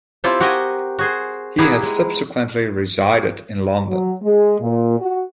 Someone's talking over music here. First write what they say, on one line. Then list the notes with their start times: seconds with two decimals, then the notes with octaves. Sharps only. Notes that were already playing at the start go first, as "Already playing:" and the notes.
He has subsequently resided in London.
0.24 C4 E4 F4 G4 A4 C5
0.40 F#4 G4 A#4 D#5 G5 G#5
0.99 F#4 G#4 C5
1.58 B3 D#4 E4 G4 G#4
1.83 G#3
3.89 F#3
4.22 G#3
4.61 A#2
5.00 F#4